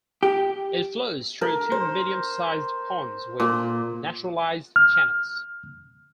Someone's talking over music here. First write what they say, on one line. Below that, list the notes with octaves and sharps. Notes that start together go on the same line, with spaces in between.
It flows through two medium-sized ponds with naturalized channels.
G4
A#4
C5
A#2
F6